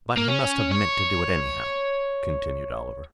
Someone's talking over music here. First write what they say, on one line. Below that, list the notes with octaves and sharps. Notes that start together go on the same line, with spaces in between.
"But he must have meant to do it anyhow," continued Oliver.
A#3
C#4
C#5